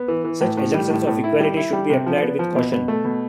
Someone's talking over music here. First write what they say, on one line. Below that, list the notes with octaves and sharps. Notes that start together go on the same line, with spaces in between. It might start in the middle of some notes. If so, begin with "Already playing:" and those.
Such assumptions of equality should be applied with caution.
Already playing: B3
E3
E3
A2
A2
G3
A2
A2
E4
G3
E4
G3
C3
F3
B3
F3
B2
B2
A3
B2